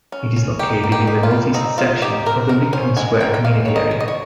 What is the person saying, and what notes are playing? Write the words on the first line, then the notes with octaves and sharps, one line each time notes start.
It is located in the north east section of the Lincoln Square community area.
C#4
C#4
D#4 G4
D#3
G4
D#4
F4
G3
C4 D#4
D#4 F4
D#4 G4
C4 A#4
G#3 A#4
C#4 C5
G#3 G#5
D#3 G5
G5
G#3 F5
D#3 C#5
D#5
G#3
D#5
C#5